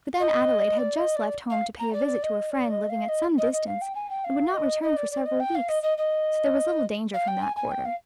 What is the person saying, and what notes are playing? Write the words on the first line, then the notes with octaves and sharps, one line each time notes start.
But then Adelaide had just left home to pay a visit to a friend living at some distance, and would not return for several weeks, so there was little danger from that quarter.
D#5
D5
D#5
D5
F5
A#5
D5
D#5
D5
D#5
F5
D#5
D#5
D#5
F5
G5
G#5
G5
F5
D#5
D#5
D5
D5
D#5
G5
F5
D#5
D#5
D#5
F5
G5
G#5
G#5
G5
F5